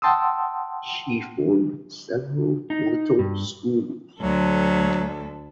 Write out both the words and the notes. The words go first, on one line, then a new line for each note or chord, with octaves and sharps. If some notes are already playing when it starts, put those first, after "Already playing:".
She formed several little schools.
F#5 G5 A5 C6 D#6 E6
D#4
G2
D2 F#3 A4